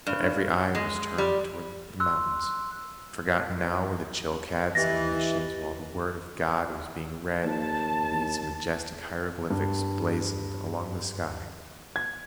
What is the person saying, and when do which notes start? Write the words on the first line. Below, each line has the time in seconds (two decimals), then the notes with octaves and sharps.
But every eye was turned to the mountains. Forgotten now were the Chilcats and missions while the word of God was being read in these majestic hieroglyphics blazoned along the sky.
0.07 G2
0.75 G#3
1.18 G3
2.00 C6 E6 F#6
4.75 E3 G4 D#5 A6 A#6
7.44 D#2 A5
9.50 G2
11.96 G#6